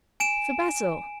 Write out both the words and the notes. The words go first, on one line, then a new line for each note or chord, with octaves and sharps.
"For Basil?"
G#5 D7 E7